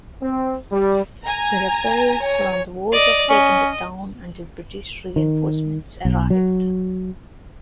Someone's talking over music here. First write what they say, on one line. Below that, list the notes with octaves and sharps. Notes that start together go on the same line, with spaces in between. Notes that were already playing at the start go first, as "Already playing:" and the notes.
The rebels were on the verge of taking the town until British reinforcements arrived.
C4
G3
G#5 A#5
C#5
D5 D#5
C#4 D#5
D#3
B1
F#3